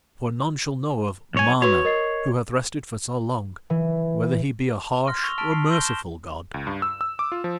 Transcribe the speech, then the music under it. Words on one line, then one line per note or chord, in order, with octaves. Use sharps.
For none shall know of MANA who hath rested for so long, whether he be a harsh or merciful god.
B1 C#5 G#5
F#4 B4 C#5
A#4 D#5 C7
E3
C6 F6 A#6
C#6 E6 F6 F7 G7
A5 F6 A6 B6 D7
C7
C6 G6 A#6 G7
E7
C#2
G2
E6
E6
D6
F4
F3